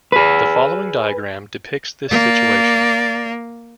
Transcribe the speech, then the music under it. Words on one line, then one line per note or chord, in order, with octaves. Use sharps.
The following diagram depicts this situation.
G#4 B4
A#3 D5